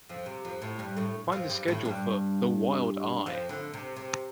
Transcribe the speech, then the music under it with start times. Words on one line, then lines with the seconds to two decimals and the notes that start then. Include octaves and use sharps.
Find the schedule for The Wild Eye.
0.09 F2 F3
0.26 C3
0.45 F2 F3
0.62 A2 A3
0.79 G2 G3
0.96 A2 A3
1.32 F2 F3
1.50 G2 G3
1.68 A2 A3
1.85 G2 G3
3.26 F2 F3
3.49 D2 D3
3.74 C3
3.96 C3